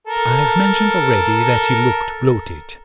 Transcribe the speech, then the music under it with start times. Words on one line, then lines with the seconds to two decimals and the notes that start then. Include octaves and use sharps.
I have mentioned already that he looked bloated.
0.07 A4 A#4